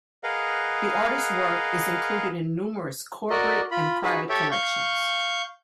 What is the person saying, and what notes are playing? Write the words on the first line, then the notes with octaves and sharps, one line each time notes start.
The artist's work is included in numerous corporate and private collections.
G#4 A#4 B4 D#5 F5 F#5
F#4 A#4 D5 D#5
F4 B5
D#4 F#4 G#4 B4
G4 A4 C#5 E5 G5
F5 C#6 G6